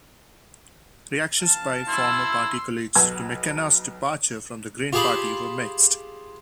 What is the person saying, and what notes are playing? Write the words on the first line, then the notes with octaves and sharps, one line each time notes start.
Reactions by former party colleagues to McKenna's departure from the Green Party were mixed.
F5 A5
E4 C6 E6
B1 B4 F#5 A5 E6 G#6
F4 G4 G#4 A5 B5